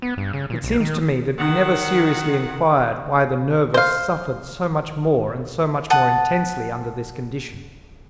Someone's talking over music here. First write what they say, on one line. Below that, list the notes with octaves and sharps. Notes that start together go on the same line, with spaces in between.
It seems to me that we never seriously inquired why the nervous suffered so much more and so much more intensely under this condition.
B3
G2
C#3
A#2
B1
D#3
D#3 F#5
C5 F5
F#5 A5 D#6